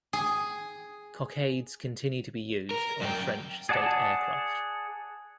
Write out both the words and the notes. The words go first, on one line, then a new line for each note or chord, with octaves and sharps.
Cockades continue to be used on French state aircraft.
G#4
A#4
F#2 G5
G#4 D5 F#5 A5